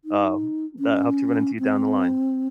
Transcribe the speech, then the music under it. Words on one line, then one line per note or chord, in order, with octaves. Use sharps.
Um, but I hope to run into you down the line.
D#4
C#4
C4